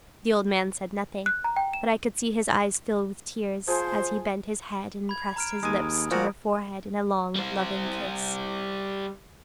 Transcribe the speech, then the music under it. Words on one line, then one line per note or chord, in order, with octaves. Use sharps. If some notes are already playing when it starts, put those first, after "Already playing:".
The old man said nothing: but I could see his eyes fill with tears, as he bent his head and pressed his lips to her forehead in a long loving kiss.
F#6
A#5
G5
E7
F3 G#4 C5 G#5
B5 G#6
A#5 F6 D7
D#2 G#3 G#5 D#6
A#2 F3 F#4 A#4
G3 C5